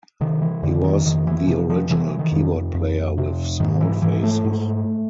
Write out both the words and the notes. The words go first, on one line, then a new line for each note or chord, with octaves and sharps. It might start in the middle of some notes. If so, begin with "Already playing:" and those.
He was the original keyboard player with Small Faces.
C3 D#3
E3
F2 D3
D#3
F2 D#3
E3
C3 F3
F3
C3 E3
D#3
F2
F2
C3
G#2 D#3
E3
G#2 E3
A3
G#2